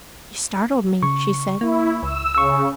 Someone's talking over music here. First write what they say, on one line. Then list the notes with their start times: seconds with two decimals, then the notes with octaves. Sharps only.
"You startled me," she said.
1.03 C#3 C#6
1.61 A#3 E4
2.03 C#2 E6
2.35 C#3 C#6 E6